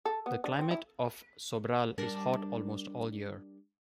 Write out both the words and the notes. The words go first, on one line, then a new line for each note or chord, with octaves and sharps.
The climate of Sobral is hot almost all year.
A4
B3
D4
C4
E4
G3 D4 A#4